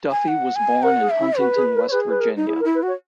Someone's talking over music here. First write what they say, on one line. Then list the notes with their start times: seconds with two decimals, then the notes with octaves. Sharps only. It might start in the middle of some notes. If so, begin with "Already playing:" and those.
Duffey was born in Huntington, West Virginia.
0.11 G#5
0.28 F#5
0.56 G#5
0.83 A#4 F#5
1.00 G#4
1.10 E5
1.19 E4
1.38 F#4 B4
1.55 G#4
1.74 A#4
1.87 C#5
1.91 G#4 B4
2.09 B4
2.20 A#4
2.36 D#4
2.47 E4 G#4
2.60 A#4
2.65 E4
2.74 B4
2.83 F#4
2.87 C#5